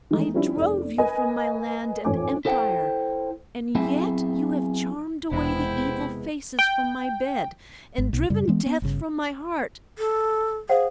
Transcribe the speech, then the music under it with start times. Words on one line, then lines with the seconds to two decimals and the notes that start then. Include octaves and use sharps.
I drove you from my land and empire, and yet you have charmed away the evil faces from my bed, and driven Death from my heart!
0.11 D#3 E3 G#3 A3 D#4
0.34 F3 G3 C#4 D4 E4
0.57 F1 D5
0.98 A#4 B4 D#5 G#5
2.05 A1 F2 G#2 C#5 G#5 D6
2.45 E4 A4 C5 F#5 G5
3.75 F#3 B3 C4 E4 G#4 E5
5.31 E1 E2 C3 G#3 B3 E4 C5 G5
6.59 G5
7.98 G#1
8.13 B1
8.30 F#2 C#3 G3
8.48 E3 G#3 B3
8.66 B3
8.82 G1 C#3
9.99 A4
10.69 G#4 C5 F5 F#5